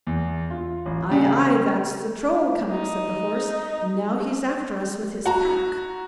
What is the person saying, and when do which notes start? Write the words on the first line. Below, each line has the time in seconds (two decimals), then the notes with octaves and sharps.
'Aye, aye, that's the Troll coming', said the Horse; 'now he's after us with his pack.'
0.07 E2
0.51 F4
0.86 A1
1.11 C#3
2.71 D#4
5.26 F#4 A#5